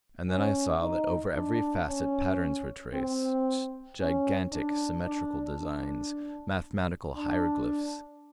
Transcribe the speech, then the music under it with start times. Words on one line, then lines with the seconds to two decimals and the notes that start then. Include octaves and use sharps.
And then I saw that over every facet patterns were traced; gigantic symmetrical designs; mathematical hieroglyphs.
0.29 C#4
0.82 D#4
1.35 D4
1.88 C#4
2.94 C4
4.00 C#4
4.52 D4
5.06 D4
5.58 D4
7.16 D4